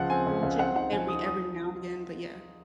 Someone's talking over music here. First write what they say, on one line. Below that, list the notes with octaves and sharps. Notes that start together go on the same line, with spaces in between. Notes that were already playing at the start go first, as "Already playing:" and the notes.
Watch it o every every now and again, but yeah.
Already playing: C#2 F3 F#5
C4 G#5
C#2
C#2
C4 F#5
D#4 F#5
F3 G#5
D#4 D#6
D#6